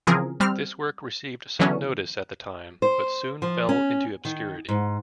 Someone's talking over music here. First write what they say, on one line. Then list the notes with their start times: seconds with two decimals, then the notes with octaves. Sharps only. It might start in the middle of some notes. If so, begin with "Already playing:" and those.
This work received some notice at the time, but soon fell into obscurity.
0.07 C#3 E3 F3 C4 G#4 A#4
0.40 G3 C4 F6
1.59 D3 E3 F#3 B3 C#4 D4
2.82 C5
3.42 F3
3.69 C#4
4.25 D#3
4.69 G#2